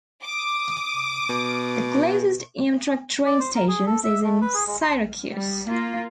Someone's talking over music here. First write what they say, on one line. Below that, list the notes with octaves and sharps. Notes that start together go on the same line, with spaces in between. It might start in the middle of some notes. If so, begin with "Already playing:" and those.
The closest Amtrak train station is in Syracuse.
D6 D#6
B2
D5
C5
A#4
G#4
A4
E5
A3
B4
G#4
G#3
C6
G3
A#3 F4